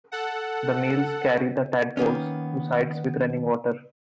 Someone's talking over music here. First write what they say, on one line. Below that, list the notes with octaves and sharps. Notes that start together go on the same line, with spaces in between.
The males carry the tadpoles to sites with running water.
A4 F#5
D#3 A#3 B3 C#4